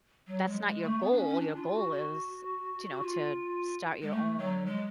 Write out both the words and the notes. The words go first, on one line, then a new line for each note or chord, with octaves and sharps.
that's not your goal. Your goal is, to know, to start your own
F#3
G#3
G#3
A3
B3
D4
C#4
C#4
D4
F4
F#4
F#4
F#4
F4
G#3
A3
F#3
G#3